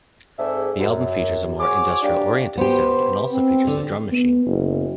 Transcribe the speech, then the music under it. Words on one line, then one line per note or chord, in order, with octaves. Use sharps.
The album features a more industrial-oriented sound and also features a drum machine.
G#2 C4 G#4 A4 D5 E5
F#2
F#4 G#4 C5 C#5 G#5 D6
G3 A#3 D4 G4
B3 G4 C5
C4
D3
B3
F#1